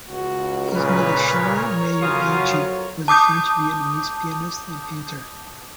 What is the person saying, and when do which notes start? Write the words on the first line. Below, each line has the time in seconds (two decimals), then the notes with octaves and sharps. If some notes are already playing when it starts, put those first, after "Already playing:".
His mother, Charlotte Mayer-Blanchy, was a French-Vietnamese pianist and painter.
0.10 C#2 F#4
0.76 A#2 C#3 A#4 B4 C#5
2.02 F2 C#3 F#3 F4 F5 D#6
3.08 A5 D6 D#6 G6